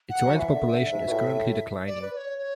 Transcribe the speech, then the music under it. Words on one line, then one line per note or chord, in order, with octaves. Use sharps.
Its wild population is currently declining.
F#5
F#3
E3 F#5
E5
D3
D3
G#2
B2
A2
D5
B4
D5
C#5
C#5